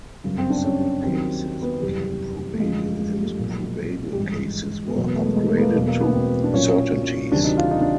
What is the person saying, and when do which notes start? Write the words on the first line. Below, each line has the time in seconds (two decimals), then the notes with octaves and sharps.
"Possible cases" became "probable", and "probable" cases were upgraded to certainties.
0.24 G1 F#2 C#3
0.38 C4
0.50 D4
0.57 C4
0.64 C#4
1.03 D#2 D#3 F#3 C4
1.62 B3
1.81 F#1 E2 C3 E3 G3
2.54 A3
2.60 F#1 F#2 D3 F3 G#3
3.00 G#3
3.12 G3
3.20 A3
3.25 G#3
3.39 B1 A#2 F3
4.13 G3
4.17 G#1 G2 E3 G#3
4.88 B3
4.95 E2 B2 F#3 A#3
5.06 B3
5.16 A3
5.26 G#3
5.36 G#3
5.48 A3
5.58 B3
5.61 A#3
5.74 E1 E2 B2 F#3 A#3
5.87 A#3
6.01 B3
6.14 C4
6.44 D4
6.53 B1 A#2 F#3 C#4
7.32 D2 C3 D#3 F#3 D4
7.44 D#4
7.57 F4
7.71 D#4
7.81 D4